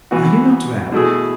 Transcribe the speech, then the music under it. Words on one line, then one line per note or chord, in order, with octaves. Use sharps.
Are you not well?
E3 B3 F#4
B2 A3 E4 G#4